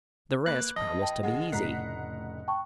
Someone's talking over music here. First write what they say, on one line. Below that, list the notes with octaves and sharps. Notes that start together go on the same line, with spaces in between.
The rest promised to be easy.
A#3 B4 F#6
F2 D#5
G5 A5
D#2 C#3 G#3 F#5
F1 A2 C#3 F#5 A#5 B6 C7
G5 A5 C#6